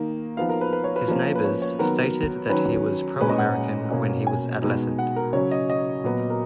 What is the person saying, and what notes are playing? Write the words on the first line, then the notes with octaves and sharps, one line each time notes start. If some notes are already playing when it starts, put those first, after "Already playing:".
His neighbors stated that he was pro-American when he was adolescent.
Already playing: D#3 A#3 D#4
F3 B3 D#4 F5
A#4
B4
B4
C#5
B4
F3 A#3 C#4
B4
C#5
C#5
D#3 F#3 B3 A#4
D#3 F#3 C#4 B4
A#2 G#3 C#4 B4
D#5
F#5
B2 A#3 C#4
G#5
B2 G#3 B3 D#4
F#5
A#4
C#3 F#3 C#4 C#5
D#5
D#5
A#2 F#3 B3
A#4